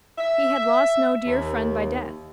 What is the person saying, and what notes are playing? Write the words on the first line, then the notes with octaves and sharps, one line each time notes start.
He had lost no dear friend by death.
E5
D#2